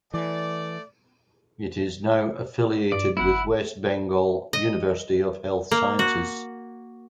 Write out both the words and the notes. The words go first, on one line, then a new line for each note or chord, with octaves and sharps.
It is now affiliated with West Bengal University of Health Sciences.
E3 A3 D5
G2 D5
G1 E4 F#5
D#5
A#3
F#4